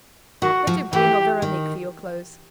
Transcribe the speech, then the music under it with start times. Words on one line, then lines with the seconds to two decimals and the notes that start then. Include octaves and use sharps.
Go to Blin or Veronique for your clothes.
0.42 D#3 F#4
0.67 F3
0.93 E3 G4
1.42 D#3